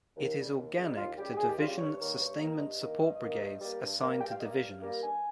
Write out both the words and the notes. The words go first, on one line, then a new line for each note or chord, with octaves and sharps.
It is organic to division sustainment support brigades assigned to divisions.
D#2
C#3 G3
D#2
C#3 G3
D#4
D#2 F4
C#3 G3 G4
G4
D#2 G#4
G4
C#3 G3 F4
F4
G2 C#5
D#3 A#3 C#5
G2
D#3 A#3
G2 D#5
D#3 A#3
G2
D#3 A#3
G2
G3 A#3
G2
G3 A#3
G2 G5
F5
G3 A#3 D#5
F5
G2
G3 A#3
G2 G#5